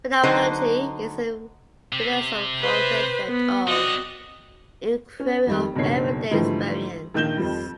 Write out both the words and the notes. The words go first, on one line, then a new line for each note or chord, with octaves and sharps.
Phenomenology is a philosophical method of inquiry of everyday experience.
D3 F#3 D#4 B4 C5
C3
B4 C5
B3
C4 F#4 D5 D#5
C#4
F2 D#3 G3
F#1 G2 B2 D#3 C#5 C7
G#2 D3 E3 F3 G3 A3
A#1 D#3 A#3 G6 E7 G7
F2 F3 G3